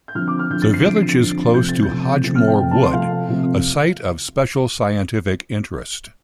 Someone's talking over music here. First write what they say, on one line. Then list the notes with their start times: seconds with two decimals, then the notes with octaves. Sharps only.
The village is close to Hodgemoor Wood, a Site of Special Scientific Interest.
0.08 G6
0.15 D3 F3 C4 F6
0.28 D6
0.39 F6
0.50 D3 F3 C4 G6
0.62 A6
0.74 C7
0.85 D3 F3 C4 D7
0.96 C7
1.09 A6
1.20 D3 F3 C4
1.54 C3 F3 A3 C4 G6
1.69 A6
1.83 G6
1.90 C3 F3 A3 C4
2.24 C3 F3 A3 C4 A6
2.35 F6
2.48 G5
2.59 C3 F3 A3 C4 G5
2.71 A5
2.83 C6
2.93 C3 F3 A3 C4 F5
3.28 C3 F3 A3 C4